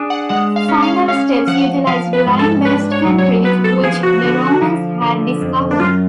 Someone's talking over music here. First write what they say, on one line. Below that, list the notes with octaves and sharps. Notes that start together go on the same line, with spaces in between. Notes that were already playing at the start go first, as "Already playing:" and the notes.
The final steps utilized lime-based concrete, which the Romans had discovered.
Already playing: D4 G#4
F#5
G#3 F#5
F5
C#4
F5
C#4 F5
F3 F#5
F3 F5
B4
G#2
A4
D4 B4
C#5
F#3
C#5
B3 B4
A4
F3 G#4
F#4
D3
F3
D3
F2
D4
F#2 F4